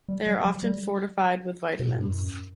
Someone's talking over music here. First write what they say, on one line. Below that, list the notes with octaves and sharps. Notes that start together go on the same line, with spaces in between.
They are often fortified with vitamins.
G3
G3
F#3
G3
B2
A2
G2
F#2